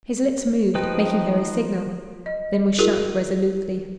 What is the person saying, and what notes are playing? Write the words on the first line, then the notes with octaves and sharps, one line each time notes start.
His lips moved, making her a signal, then were shut resolutely.
F3 D#4 B4 G5 F#6
D#5
E4 F#4 G#4 A#4